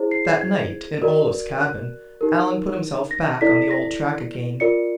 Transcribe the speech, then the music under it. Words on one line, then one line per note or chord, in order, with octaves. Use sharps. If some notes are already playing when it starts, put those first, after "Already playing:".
That night, in Olaf's cabin, Alan put himself back on the old track again.
Already playing: E4 G#4 C5
C7
G#6
F#4 A#4 D5
F#6
D#4 G4 A#4
A#6
E4 A4 D5 B6
A#6
F4 A#4 D5 C#7